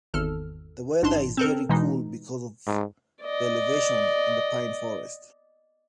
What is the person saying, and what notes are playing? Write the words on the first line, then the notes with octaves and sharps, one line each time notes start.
The weather is very cool because of the elevation and the Pine forests.
G#1 E2 A4 F6
A1 G#2 D4 A5 C6
C4 A4 A#4
B2 E3 G#3 D#4
G#2
D5 D#5